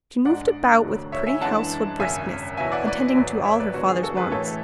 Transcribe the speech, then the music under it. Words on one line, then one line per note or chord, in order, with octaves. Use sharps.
She moved about with pretty household briskness, attending to all her father's wants.
G#2 G#3 D4 D5 F#5
E1 D2 D3 F#3
C#5 E5
E5 G#5
F#2 E3 G#3 D4 F#5 A5
G#1 F#2 C#3 E5 G#5
E2 B2 F#3 B3 E4 E5 G#5
D5 F#5
B4 D5
G#1 G#2 F#3
C#5 E5
B4 D5
E2 D3 G#3 B3 F#4
G#4
F#4 A4
G#4 B4
A1 A2 E3 A3 E4 A4 C#5